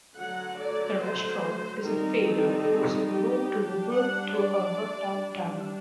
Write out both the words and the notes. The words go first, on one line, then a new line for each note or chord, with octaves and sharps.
The restaurant is a failure, forcing Moe to revert to a run-down tavern.
D3 F#3 A3 F#5
D5
C5
D#3 G3 C4 D#4 A#4
A4
G4
G3 D4
F#5
D5
G3 D4